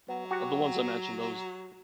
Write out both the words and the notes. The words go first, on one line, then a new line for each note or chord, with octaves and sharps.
of the ones I mentioned, those
F#3 B3
F#4 G4 F#5